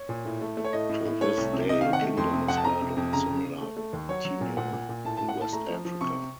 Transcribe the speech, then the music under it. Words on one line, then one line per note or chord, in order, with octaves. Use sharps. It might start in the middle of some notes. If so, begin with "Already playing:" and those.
To this day a kingdom is held on a similar tenure in west Africa.
Already playing: C#5
A#2
A2
A3
A3
C#5
A2 D#5
A2
A2
A3 C#5
C2
C3
C3 D#5
F5
D#3
F#5
A3
F2 C6
C3
F2 F#5
A5
F2 A#5
C3
F2
C#3 A#5
C#3
C#3
A3
A3
D#2
F#3 C#5
F#3
A#2
A#2 F#5
A#2
A#2
A2 A5
A5
A2
F#5
A2 A5
A3 A#5
F3
F3
C3 C#6